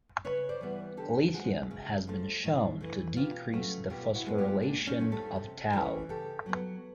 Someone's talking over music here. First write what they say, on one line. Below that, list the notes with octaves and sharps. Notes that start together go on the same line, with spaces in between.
Lithium has been shown to decrease the phosphorylation of tau.
C#3 B4 C#5
C5 D5
E3 G3 B3
D3 G4 A4
F3 G#3 F#4 G#4
C#3
F3 A3
A2
E3 A3
B2 F4 G4
F#3 A3 C#4
B2 F4 G4
E4 F#4
G#3 B3
F4 G4
A#2 D4
C#4 D#4
F3 A3
G4 A4
C3
E3 A3 C#4
C#3 G4 A4
F#3 B3